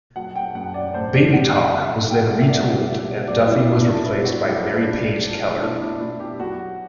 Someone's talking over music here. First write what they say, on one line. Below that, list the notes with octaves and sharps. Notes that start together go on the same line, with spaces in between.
'Baby Talk' was then retooled and Duffy was replaced by Mary Page Keller.
F#3 F#5
G5
F#2 F#5
D5
A3 C5
D5
F#2 F#5
D5
F#3 E5
F#5
B2 G5
F#5
E5
B3 D5
E5
B2
F#3 D5
E4
B2 D4
D4
B3 E4
F#4
B2 G4
E4
A3 D4
A3
D4
B2 E4
D4
B2 E4
G4
F#3 F#4